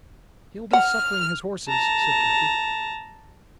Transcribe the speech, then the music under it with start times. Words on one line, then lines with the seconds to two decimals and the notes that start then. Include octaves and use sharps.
"He'll be suppering his horses," said Turkey.
0.73 F#5 F6
1.68 A5 A#5